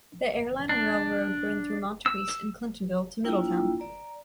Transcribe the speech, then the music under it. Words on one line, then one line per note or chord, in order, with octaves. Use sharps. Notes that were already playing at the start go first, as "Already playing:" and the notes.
The Airline Railroad ran through Montowese and Clintonville to Middletown.
D4
E6
A#3 D4 E4 F4 G5
D5 A#5